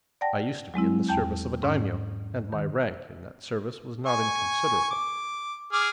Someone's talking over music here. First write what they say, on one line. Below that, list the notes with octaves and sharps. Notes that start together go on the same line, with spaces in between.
I used to be in the service of a daimyo; and my rank in that service was not inconsiderable.
D5 F#5 G5 A5 A#6
F#3 G#3 C4 E4
E2 G5 A5 G6
G#2 C#4
D#3
G#5 C#6
D6
G#4 D6 F6